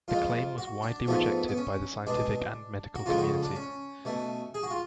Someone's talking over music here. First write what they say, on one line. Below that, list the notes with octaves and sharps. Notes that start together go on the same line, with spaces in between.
The claim was widely rejected by the scientific and medical community.
F2 F3 G#3 F4
F#4
D4
G#2 F3 A3 B3
B3
C#4
B2 G#3 D4
F#4
F2 C#3 F3 G#3 F4
F#4
D4
C#4
B2 A3
G#4
F#4
F4